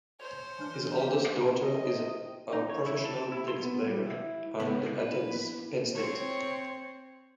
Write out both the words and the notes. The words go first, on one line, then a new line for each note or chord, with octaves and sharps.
His oldest daughter is a professional tennis player and attends Penn State.
C5 C#5
E3 D4 F6
G4
C3 D#5
D#4
C#5
E4
A5
E4
C6
B3
G3
E4
C#2 C3 B3
E4 B4
C4 C#5